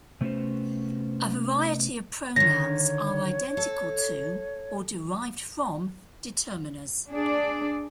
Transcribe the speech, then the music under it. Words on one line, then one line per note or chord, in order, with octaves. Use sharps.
A variety of pronouns are identical to or derived from determiners.
C3 A3 B3 C#4 F#4 C5
D3 D#3 C#5 A#6
A4
D4 G#4 D5